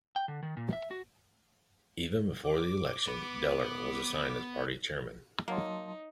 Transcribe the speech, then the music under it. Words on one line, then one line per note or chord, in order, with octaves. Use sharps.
Even before the election Dehler was assigned as party chairman.
G5
D3
D#3
A#2
E5
F#4
D6
B3 B5
F#3 A#3 D#4 C#5 F5 F#5 A5 C6